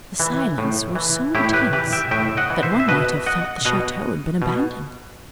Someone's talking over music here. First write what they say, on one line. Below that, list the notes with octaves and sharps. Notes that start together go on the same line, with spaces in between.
The silence was so intense that one might have thought the chateau had been abandoned.
E3
A2
E3
A2 E4 G4
G4 B4
E3 G4 B4
E5 G5
A2 E5 G5
D#5 F#5
E3
C5 E5
E5
B2 B4 D#5
D#5 F#5
B2 D#5 F#5
B2